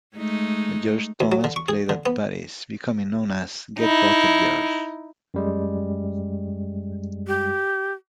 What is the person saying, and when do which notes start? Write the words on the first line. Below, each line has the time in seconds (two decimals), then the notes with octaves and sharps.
George Thomas played at parties, becoming known as "Gut Bucket George".
0.16 G#3 A3 D#4
1.20 D2
1.32 F#3
1.44 D3
1.56 C#6
1.68 G#4
1.89 D3
2.06 B3
3.80 D#4 E4
5.34 F#2 G3 G#3
7.27 G4